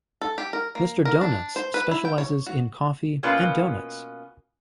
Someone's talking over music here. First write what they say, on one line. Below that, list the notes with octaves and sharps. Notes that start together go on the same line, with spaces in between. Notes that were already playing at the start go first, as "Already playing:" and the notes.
Mister Donuts specializes in coffee and doughnuts.
A4
G4
A#4
A#3
A#4
D4
C5
B4
E4
G5
C#5
F#4
B2 A#3 C#4 F4 B4